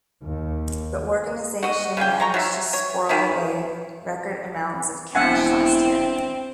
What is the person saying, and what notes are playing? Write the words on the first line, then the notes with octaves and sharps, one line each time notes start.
The organisation managed to squirrel away record amounts of cash last year.
D#2
F#4 D#5
C#3 E3 G#4 G5
G#3 A#5 C#6
F#3 F4 E5
C#5
D#3 E3 E4
E1 C4 E4 E5 F#5 G#5